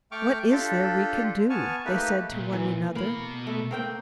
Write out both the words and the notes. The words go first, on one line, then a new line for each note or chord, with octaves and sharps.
"What is there we can do?" they said to one another.
A3 G5 C#6 D6 F6
D4 F4 G4 A4
B3 G#5 A5 C#6 F6
A3 A#3 D#4 G4 B4
A#2
E3
B2 A#3 B5
A3
A#3 C4 G5